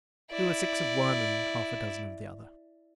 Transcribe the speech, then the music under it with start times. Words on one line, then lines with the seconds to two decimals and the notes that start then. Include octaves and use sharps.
We were six of one and half-a-dozen of the other.
0.31 E4 D5